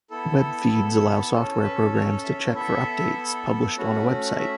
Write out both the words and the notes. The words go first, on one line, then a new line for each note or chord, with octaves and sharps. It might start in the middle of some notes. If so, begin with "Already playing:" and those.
Web feeds allow software programs to check for updates published on a website.
B3 E4 A4
C#4 A4
B4
C#5
E5
B3 E4 A4 E5
A3 C#4 F#4
E5